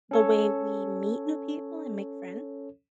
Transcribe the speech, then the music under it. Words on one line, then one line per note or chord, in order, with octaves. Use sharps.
the way we meet new people and make friends?
C#4 A4 C#5